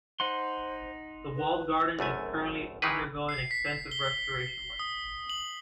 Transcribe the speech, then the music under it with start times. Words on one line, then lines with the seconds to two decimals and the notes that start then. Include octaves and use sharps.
The Walled Garden is currently undergoing extensive restoration work.
0.20 D#4 C5 F#5 C6
1.36 B4
1.99 G#1 F#2 A3 G#5
2.82 D#3 E3 D#4 E4 G#4 B4
3.29 C7
3.51 B6
3.91 G7
4.79 D#6
5.30 F#7